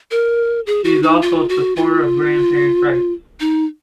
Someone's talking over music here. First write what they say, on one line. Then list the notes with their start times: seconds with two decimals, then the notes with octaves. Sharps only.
She is also a supporter of grandparents' rights.
0.11 A#4
0.67 G#4
0.84 F#4
1.03 D#4
1.22 F4
1.49 F#4
1.76 F4
3.40 D#4